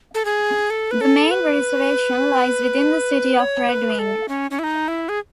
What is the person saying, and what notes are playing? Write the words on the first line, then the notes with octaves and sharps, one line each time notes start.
The main reservation lies within the city of Red Wing.
A4
G#4
A4
B4
A4
B4
C#5
B4
A4
C#4
C#4
E4
D#4
E4
G#4